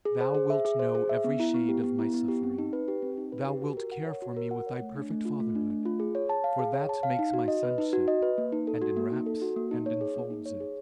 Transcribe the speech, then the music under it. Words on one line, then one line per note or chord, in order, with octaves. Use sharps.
Thou wilt know every shade of my suffering; thou wilt care for me with thy perfect fatherhood; for that makes my sonship, and inwraps and infolds it.
G#4
C5
G#4
E5
G#4
C5
G#4
E5
B3
E4
B3
G4
B3
E4
B3
G4
C4
D#4
B4
G4
C4
D#4
B4
G4
F#4
A#4
F#5
C#5
F#4
A#4
F#5
C#5
A3
D4
A3
F4
A3
D4
A3
F4
G#4
C#5
A5
F5
G#4
C#5
A5
F5
D#4
F#4
D#5
B4
D#4
F#4
D#5
B4
A#3
D#4
A4
F#4
A#3
D#4
A4
F#4
A#3
D#4
C#5
G#4
A#3
D#4
C#5
G#4